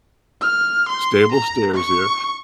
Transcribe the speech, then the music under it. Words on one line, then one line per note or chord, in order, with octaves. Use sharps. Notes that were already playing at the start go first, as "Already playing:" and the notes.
stable stairs here,"
F6
C6
A#5
C#6